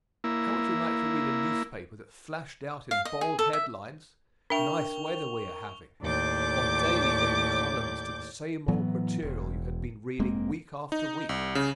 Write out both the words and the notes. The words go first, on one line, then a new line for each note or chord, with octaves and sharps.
How would you like to read a newspaper that flashed out in bold headlines "Nice Weather We Are Having," or daily gave columns to the same old material you had been reading week after week?
A#3 E4
F5
D#5
G#4
A4
E5
D4 A#4 E5 G5 C#6 F7 G7
D#2 A2 D5 D6 G6
A2 E3 F#3 B3
E1
F1 G#3 A#3 C4
D#4
C2
C#3